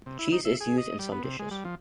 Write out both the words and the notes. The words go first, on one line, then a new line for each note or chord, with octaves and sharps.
Cheese is used in some dishes.
C3
E4
D#4
E5
G#4
D#5
G3
B3
C3
G#3
G3
F3